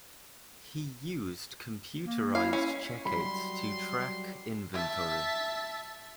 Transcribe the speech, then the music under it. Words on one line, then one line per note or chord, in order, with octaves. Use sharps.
He used computerized checkouts to track inventory.
A#3
E4 F5
C#4
F#3 G3 B5 C6
E5 A5